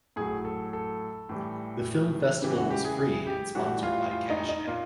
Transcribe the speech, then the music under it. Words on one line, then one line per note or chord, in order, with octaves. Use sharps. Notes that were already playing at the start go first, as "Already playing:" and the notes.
The Film Festival was free and sponsored by Cash App.
A2 F#3 G#4
A4
A4
A2 E3 G3
C#3 E3 G3 G4
F#4
G4
G#4
G#4
G4
A2 E3 G3 F#4
F4
F4
D#4
D#4
A#2 F4